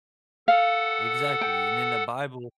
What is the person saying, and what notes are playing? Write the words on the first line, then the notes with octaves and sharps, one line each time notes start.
Exactly, and in the bible
A4 F5 F#5
G5